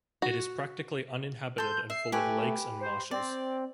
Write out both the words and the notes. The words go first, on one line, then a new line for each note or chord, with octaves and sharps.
It is practically uninhabited and full of lakes and marshes.
F#4
A4 C6 G6
E5 C7
A3 G4 B4 G#5
C5
C4 D5